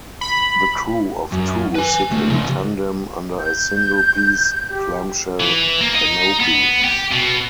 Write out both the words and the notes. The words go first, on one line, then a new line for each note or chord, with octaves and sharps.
The crew of two sit in tandem under a single-piece clamshell canopy.
B5
F#2
B4 G#5
D2 A3
C#3 F3
G6
G4
E3
A#3
D#4
B3
G4
B2